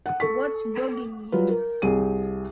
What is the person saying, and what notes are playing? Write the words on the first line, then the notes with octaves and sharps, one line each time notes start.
What’s bugging you?
F#5
A4 C#6 B6
F#3 G3 F4 B4
A#4
C2 G#4 D#7